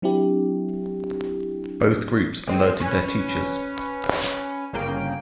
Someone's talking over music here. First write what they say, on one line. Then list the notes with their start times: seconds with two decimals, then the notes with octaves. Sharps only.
Both groups alerted their teachers.
0.02 F#3 C4 D4 E4 G4
2.47 G#3 C4 C7
2.80 C#4 B4
4.73 G1 C#3 A#3 G5 D7